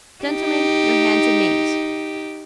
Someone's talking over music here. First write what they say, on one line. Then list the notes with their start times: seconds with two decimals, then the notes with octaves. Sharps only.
Gentlemen, your hands and names.
0.24 D#4 G4